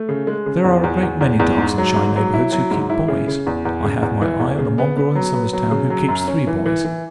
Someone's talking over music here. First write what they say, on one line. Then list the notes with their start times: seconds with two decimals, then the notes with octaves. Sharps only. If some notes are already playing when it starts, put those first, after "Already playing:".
There are a great many dogs in shy neighbourhoods, who keep boys. I have my eye on a mongrel in Somerstown who keeps three boys.
Already playing: A3
0.09 C#3
0.27 G#3
0.46 C#3
0.64 E2
0.84 E2
1.03 E2
1.21 E2
1.39 E2
1.58 G#2
1.78 F#3
1.96 G#2
2.16 F#3
2.34 E4
2.52 F#3
2.71 G#2
2.89 E4
3.08 C#3
3.28 C#3
3.47 E2
3.65 E2
3.84 C#3
4.02 E2
4.21 E3
4.39 E2
4.59 C#3
4.78 B3
4.97 B3
5.15 F#3
5.34 B3
5.53 F#3
5.71 C#3
5.90 F#3
6.08 F#2
6.28 C#4
6.47 E3
6.66 E3
6.85 E3